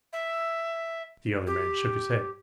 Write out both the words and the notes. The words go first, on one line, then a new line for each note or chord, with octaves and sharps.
The other man shook his head.
E5
G4